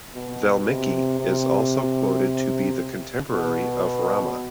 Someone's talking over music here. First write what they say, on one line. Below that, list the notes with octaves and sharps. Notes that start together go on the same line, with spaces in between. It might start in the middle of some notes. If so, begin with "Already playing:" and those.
Valmiki is also quoted to be the contemporary of Rama.
B2
C3
C3
B2